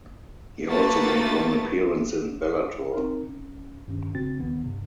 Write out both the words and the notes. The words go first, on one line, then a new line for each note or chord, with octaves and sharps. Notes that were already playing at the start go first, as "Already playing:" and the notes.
He also made one appearance in Bellator.
A3 A#3 F#4 B4 A6
C4 D#4 A#4
C#4
G2 D#3 C#4
C#3 C4 D4 F#4 A6
D#2 D#3 B3
G2 C3